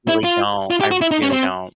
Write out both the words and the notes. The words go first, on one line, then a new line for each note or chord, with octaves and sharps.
Really don't, I really don't.
E4
F4
F4
G4
F#4
E4
D#4
C#4
C4